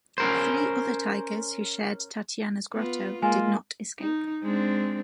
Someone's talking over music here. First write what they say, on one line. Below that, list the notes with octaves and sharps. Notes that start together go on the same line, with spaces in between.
Three other tigers who shared Tatiana's grotto did not escape.
C#4 A#4 C5
B3 F4
G#3 A#3 F4 G#5
D#4
G#3 C4 D4